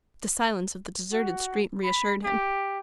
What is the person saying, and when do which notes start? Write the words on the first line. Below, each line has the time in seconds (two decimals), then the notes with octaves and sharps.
The silence of the deserted street reassured him.
1.13 F#4
1.84 B5
2.24 G4